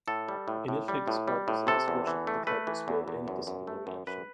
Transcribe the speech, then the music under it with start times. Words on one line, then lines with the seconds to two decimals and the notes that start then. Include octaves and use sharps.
Initially despite this indiscretion, the club was spared any disciplinary action.
0.08 A2 A4
0.28 G3
0.48 A2
0.68 A2
0.88 G3
1.08 A2
1.28 G3
1.48 A2
1.67 C3 A4
1.88 E2
2.07 E3
2.27 A3
2.47 A3 B4
2.67 E3
2.88 E2
3.08 E2
3.28 F#2
3.47 F#2
3.67 A3
3.87 F#2
4.07 F#2 B4